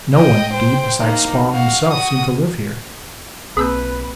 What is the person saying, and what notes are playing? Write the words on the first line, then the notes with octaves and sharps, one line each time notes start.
No one, indeed, beside Spawn himself seemed to live here.
D#5 G5
C5 G5
A#3 D#4
F#4 F5
F#4 D#6
B1 A#3 C4 G#4 B4 E6 G6